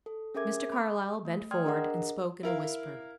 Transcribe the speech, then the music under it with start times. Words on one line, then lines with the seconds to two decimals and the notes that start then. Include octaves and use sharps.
Mr. Carlyle bent forward and spoke in a whisper.
0.06 A4
0.34 C#4 G#4 A#4 E5 D6 G#6
0.72 B5 D6
1.25 A3
1.51 D5 G5 C6 D#6 F6 G#6
1.65 D4 G#4 A#4 D#5 F#5 A#5
2.43 E4 A#4 F5